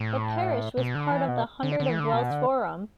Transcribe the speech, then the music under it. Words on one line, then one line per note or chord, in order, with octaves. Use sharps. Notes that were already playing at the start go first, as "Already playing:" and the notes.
The parish was part of the hundred of Wells Forum.
Already playing: A2
B2
D3
E3
B2
D3
D3
E3
D3
B2
D3